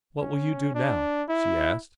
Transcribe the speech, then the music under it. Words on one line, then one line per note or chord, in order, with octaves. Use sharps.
"What will you do now?" she asked.
C#4
D4
E4